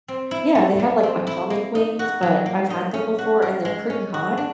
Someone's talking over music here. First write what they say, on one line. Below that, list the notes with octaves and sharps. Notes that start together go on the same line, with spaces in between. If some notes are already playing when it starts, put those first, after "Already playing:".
yeah, they have, like, atomic wings, but I've had them before and they're pretty hot.
C4
E4
A3
A3
C4
E4
A#3
D#4
F#4
F#3
A#3
D#4
C#4
F#4
A#4
G#3
C#4
F#4
D4